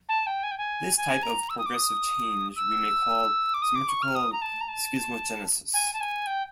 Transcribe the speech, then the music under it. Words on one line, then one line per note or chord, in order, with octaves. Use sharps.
This type of progressive change we may call symmetrical schismogenesis.
A5
G5
G#5
G5
G#5
G#5
A#5
E6
D#6
D6
D#6
E6
D6
D#6
D6
C#6
F6
D#6
A#5
A5
A#5
A5
G#5
A5
G#5
G5